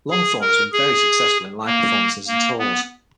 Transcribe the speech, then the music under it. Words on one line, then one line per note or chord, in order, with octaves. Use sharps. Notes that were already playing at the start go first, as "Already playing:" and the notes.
Longthorne has been very successful in live performances and tours.
G#4
A#4
G#4
A#3
A#3
B3